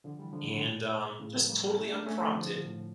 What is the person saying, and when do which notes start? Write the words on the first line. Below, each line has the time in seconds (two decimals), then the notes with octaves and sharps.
And, um, just totally unprompted,
0.04 D3 F3
0.19 E3 G3
0.33 D3 F3
0.44 A2
0.53 A#2 D3
0.63 A#2
1.20 A2 C#3
1.35 F3 A3
1.49 G3 A#3
1.63 G3 A#3
1.78 A3 C#4
1.93 A#3 D4
2.07 A3 C#4
2.22 F3 A3
2.36 D3 F3
2.65 A2